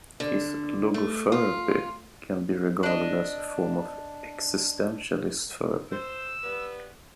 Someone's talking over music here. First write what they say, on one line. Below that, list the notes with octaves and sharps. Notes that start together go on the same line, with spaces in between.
His logotherapy can be regarded as a form of existentialist therapy.
D3
A3
F4
D4 D#5
C5 E6
G3 B3 B4